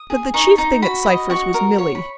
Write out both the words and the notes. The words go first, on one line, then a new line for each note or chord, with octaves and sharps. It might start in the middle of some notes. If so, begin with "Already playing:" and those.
But the chief thing at Cypher's was Milly.
Already playing: D#6
G#4
D#4 C#6
D#4
F#4 B5
D#5
F#4 C#6
A#4
C#5 C#6
B5